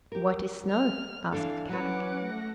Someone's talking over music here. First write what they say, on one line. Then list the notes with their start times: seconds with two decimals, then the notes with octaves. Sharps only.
"What is snow?" asked Kadok.
0.12 G4 A#4
0.70 F6
1.32 E3 D4 A4 F5
1.69 F#3 C#4 B4 F#5 D6
2.18 A3 A#6